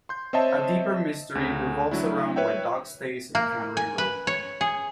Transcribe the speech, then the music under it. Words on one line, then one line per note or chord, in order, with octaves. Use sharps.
A deeper mystery revolves around why Doc stays in Cannery Row.
C6 G6
C4 C5 C#5 D#5 E5 A5
D2 C#3
F#3 A3 D4 E4
B4 C#5 E5 G5
A#3
G#5
B4
C#5
G#4